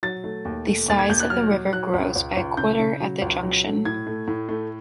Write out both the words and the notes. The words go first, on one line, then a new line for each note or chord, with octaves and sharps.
The size of the river grows by a quarter at the junction.
F#3 A6
A3
D#2
A3
D#2 A6
G#6
D#2 G6
F#6
F#3 F6
F#3
F#3 F#6
C#2
C#2
C#2
C#3 G6
C#3
F#3
C#2
F#3
A3
A2 G#6
A3
A2
A3